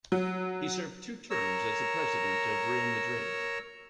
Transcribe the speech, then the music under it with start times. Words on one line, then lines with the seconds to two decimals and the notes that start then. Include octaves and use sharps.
He served two terms as the President of Real Madrid.
0.12 F#3
1.30 A#4 C#5 A#5 E6